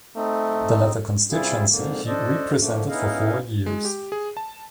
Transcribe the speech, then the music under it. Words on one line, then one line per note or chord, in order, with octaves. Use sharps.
The latter constituency he represented for four years.
A3 C4 D#4
C3 G3 E4 F4 G#4
F2 G#2 D3 A#3
D4 A4 C5 D5 D#5
D3 F3 A3 A#3
B3 C#4 D#4 E4 D#5 F5
G#3
G4
G#4
A5